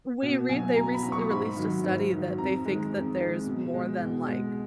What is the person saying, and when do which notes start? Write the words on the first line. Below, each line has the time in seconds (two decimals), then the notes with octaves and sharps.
we re they recently released a study that they think that there's more than like
0.22 B2
0.49 F#3 G#5
0.76 B2 A#5
0.94 B5
1.03 F#3
1.12 C#6
1.31 G#2 B5
1.57 D#3 F#3
1.84 G#2
2.11 D#3 F#3
2.38 F2 A#5
2.65 D#3 G#3
2.92 F2
3.19 D#3 G#3
3.46 B2
3.74 G#3
4.01 B2
4.28 G#3